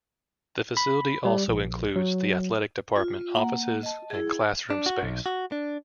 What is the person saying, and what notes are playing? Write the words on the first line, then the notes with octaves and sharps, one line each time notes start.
The facility also includes the athletic department offices and classroom space.
B5
G3
A#1
F#3
F4
A#3 F#5 A#5
D#5 A5
E4 G#4
D4
F#4
B1
F#4
D4